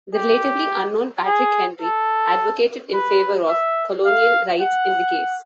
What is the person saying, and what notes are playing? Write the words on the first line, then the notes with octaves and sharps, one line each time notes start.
The relatively unknown Patrick Henry advocated in favor of colonial rights in the case.
G4
G#4
A4
B4
E5
F5
F#5